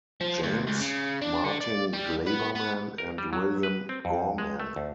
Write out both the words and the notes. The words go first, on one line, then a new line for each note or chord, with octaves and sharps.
James, Martin Glaberman, and William Gorman.
F3
D2
C#2
C#3
D4
D3
D5
G3
B3
B3
A#4
G3
F#3
B4
C4
F2
G#3
A3
D2